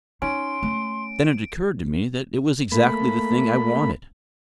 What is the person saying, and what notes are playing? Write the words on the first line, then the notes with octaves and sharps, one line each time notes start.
Then it occurred to me that it was exactly the thing I wanted.
C#4 D#4 C6 D7
A3
A3 A#3 B5